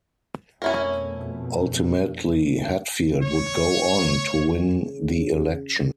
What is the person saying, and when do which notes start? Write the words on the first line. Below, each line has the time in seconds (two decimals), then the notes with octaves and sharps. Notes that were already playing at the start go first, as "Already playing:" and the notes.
Ultimately, Hatfield would go on to win the election.
0.62 F2 B2 A3 C#4 E4 A#4
3.22 C#5
4.78 C#3